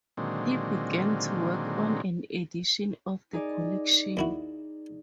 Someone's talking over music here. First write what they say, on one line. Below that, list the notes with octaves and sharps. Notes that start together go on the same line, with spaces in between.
He began to work on an edition of the collection.
A#2 D3 D#3 F#3 G#3 C4
D#4 G#4 D5
D#2 E4 F#4